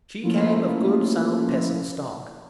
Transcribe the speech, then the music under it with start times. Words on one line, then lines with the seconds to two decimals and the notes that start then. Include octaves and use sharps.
She came of good sound peasant stock.
0.23 F3 A3 A#3 C#4 E4 F4